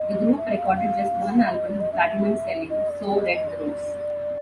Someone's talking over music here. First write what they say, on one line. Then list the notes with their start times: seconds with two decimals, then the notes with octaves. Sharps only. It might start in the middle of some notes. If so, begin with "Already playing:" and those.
The group recorded just one album, the platinum-selling "So Red the Rose".
Already playing: D#5
0.38 E5
0.58 F5
0.76 F5
1.29 F#5
1.38 F5
1.45 E5
1.54 D#5
1.66 D5
1.80 D#5
1.92 E5
2.70 D#5
2.89 D5
3.08 D5
3.22 D#5
3.34 D#5
3.47 D5